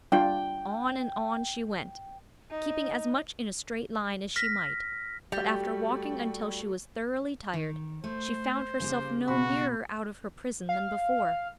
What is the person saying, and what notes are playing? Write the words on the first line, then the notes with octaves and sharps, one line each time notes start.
On and on she went, keeping as much in a straight line as she might, but after walking until she was thoroughly tired, she found herself no nearer out of her prison than before.
G3 D4 F4 G5
D#4
F6 A#6 B6
G3 A3 F#4 G4
D#3
A3 C5
C#3 G3 A#3
B2 F#4 B5
F5